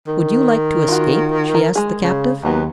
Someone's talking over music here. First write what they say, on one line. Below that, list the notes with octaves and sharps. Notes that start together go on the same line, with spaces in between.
"Would you like to escape?" she asked the captive.
D#3
F4 F#4
A#4
G#3 G#4
C#3
D#2 D#3 F#3 B3